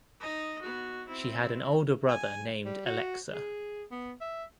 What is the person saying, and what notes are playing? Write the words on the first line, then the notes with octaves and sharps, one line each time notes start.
She had an older brother named Aleksa.
D#4 D#5
B3 F#4
C4 E4
G#5
G3
F#4
G#4
B3
E5